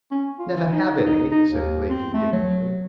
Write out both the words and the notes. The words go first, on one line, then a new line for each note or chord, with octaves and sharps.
"Never have any!" said Blake indignantly.
C#4
F4
E3
D#4
D#4
D#4
D#2
C4
A3
F#3